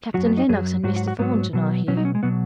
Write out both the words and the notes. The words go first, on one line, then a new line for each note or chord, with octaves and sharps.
Captain Lennox and Mr. Thornton are here.
F#2 F#3 F#4
B3
D#4
F#2 F#3 G#4
G#2 F#3 F#4
F#4
F#4
G#2 F#3 B3
B2 F#3
B2 F#3 C#4
D#4
C#4
G#3
B2 F#3 B3